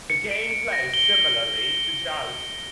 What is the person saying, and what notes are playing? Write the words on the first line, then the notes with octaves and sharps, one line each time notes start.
The game plays similarly to Joust.
C#7
D7
D7
A#6
G7
G7